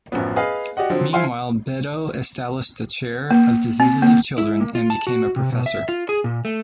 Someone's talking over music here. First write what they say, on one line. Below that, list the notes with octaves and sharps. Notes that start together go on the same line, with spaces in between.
Meanwhile, Beddoe established the chair of Diseases of Children and became a professor.
A1 F#2 F3 B3
G#4 B4 D#5 F5
F#4 G4 D5 D#5 F#5
D3 F3 F#3 C4
E4 F4 C5 F5 G#5 C6
A#3
C4
A#3
E4
A#3
F4
A5
F#4
C3
B2
E5
F4
G#4
A#2
A3